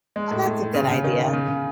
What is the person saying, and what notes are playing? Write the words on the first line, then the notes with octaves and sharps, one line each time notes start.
Oh, that's a good idea.
G#3
A2
A2
C#3
C#3
D#3
C#3
C#3